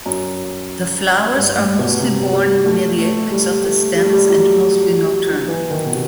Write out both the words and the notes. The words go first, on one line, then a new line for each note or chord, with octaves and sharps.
The flowers are mostly borne near the apex of the stems and mostly nocturnal.
F#2
G2
A2
B2
C3
G3
A3
A3
G3
A3
G3
A3
G3
F#3
F#3
E3
D#3
B2
C3